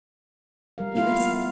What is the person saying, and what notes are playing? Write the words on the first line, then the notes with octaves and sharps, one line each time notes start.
He listened.
G3 A#4 F5
B3 E4 F4 F5